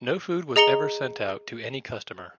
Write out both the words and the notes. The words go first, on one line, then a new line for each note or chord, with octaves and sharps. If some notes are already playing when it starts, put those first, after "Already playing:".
No food was ever sent out to any customer.
G#4 D#5 A#5 C#7 G7